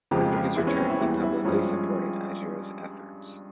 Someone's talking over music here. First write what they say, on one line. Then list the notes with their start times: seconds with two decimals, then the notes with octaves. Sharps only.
After his return, he publicly supported Itera's efforts.
0.11 F2 C#3 F3 G#3 G4
0.33 F4
0.56 E2 E3 G#3 E4
0.67 C#4
0.78 C4
0.90 E4
1.01 E2 E3 G3 E4
1.22 E4
1.45 G2 F3 G#3 C#4